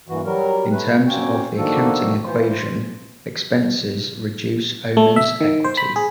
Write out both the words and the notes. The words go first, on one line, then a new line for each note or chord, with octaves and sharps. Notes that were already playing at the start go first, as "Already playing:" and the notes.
In terms of the accounting equation, expenses reduce owners' equity.
G2 A#2 E3 F#4
F#3 G3 A#4
A3 B4
A#3 C4 C#4 F#4 C#5 G5
D#3 F3 A#3 D4 F#4 A4
E3 F4 C5
A3
E5
D#3
C5
B5
G#4